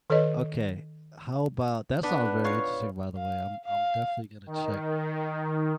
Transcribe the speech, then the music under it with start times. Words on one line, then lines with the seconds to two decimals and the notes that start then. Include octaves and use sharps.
Okay, how about That song's very interesting, by the way, I'm I'm definitely gonna check
0.10 D#3 A4 B4 C#5 D#5
2.03 B3 D4 B4
2.44 F4 C#5 F5
3.17 F5
3.65 F5
4.47 D#3